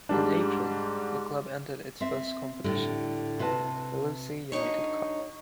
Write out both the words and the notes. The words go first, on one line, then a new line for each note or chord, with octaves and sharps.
In April, the club entered its first competition, the Livesey United Cup.
G#2 G3 D4
C4 E5
A2 D3 G3
C3 F#4 B4 D#5 A5
D3 F#3 D#4 C#5